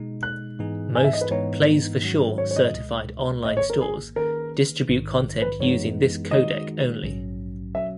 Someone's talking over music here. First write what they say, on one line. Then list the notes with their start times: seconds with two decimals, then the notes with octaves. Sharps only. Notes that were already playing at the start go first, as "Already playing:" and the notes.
Most PlaysForSure-certified online stores distribute content using this codec only.
Already playing: B2 G#3 D#4
0.23 F#6
0.59 G#2 E3 B3 D#4 G#4
0.95 G#5
1.04 E5
1.13 D#5
1.21 B4
1.30 G#2 E3 B3 D#4 C#5
2.02 G#2 D#3 F#3 C#4 F#4
2.38 C#5
2.51 C#5
2.56 D#5
2.73 C#2 B2 G#3
3.45 G#1 G#2 D#3 A#3 D#5
3.57 C#5
3.70 A#4
3.81 G#4
4.16 D#3 A#3 C#4 G#4 A#4 B4
4.89 A#1 G#2 D#3
5.42 B4
5.59 F#2 E3 G#3 B3 D#4 C#5
6.31 D#3 G#3 D#4 F#4 D#5
7.03 A#1 G#2 F#3 C#4
7.75 B2 F#3 C#4 F#4 E5